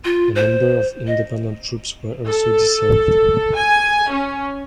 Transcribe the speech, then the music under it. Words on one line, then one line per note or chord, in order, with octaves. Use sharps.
A number of independent troops were also dissolved.
F4
C5
D#5
A4
G#5
C#4